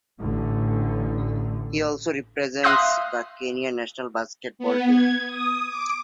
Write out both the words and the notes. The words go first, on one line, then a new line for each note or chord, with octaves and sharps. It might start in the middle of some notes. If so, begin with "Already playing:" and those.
He also represents the Kenya national basketball team.
A1 D3
E5 F5 C6 D#6 F#6 A#6
B3
G#6
D#6
D6